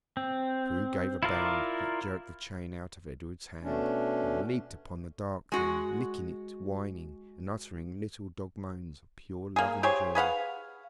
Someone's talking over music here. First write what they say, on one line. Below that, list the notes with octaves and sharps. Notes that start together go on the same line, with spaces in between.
True gave a bound that jerked the chain out of Edred's hand, and leaped upon the dark thing, licking it, whining, and uttering little dog moans of pure love and joy.
C4
E4 F4 A#4 D5
B2 A3 C#4 D4
G#3 F#4
A#3 G#4
G4 G#4 C5 C#5
G#4 B4 F5 F#5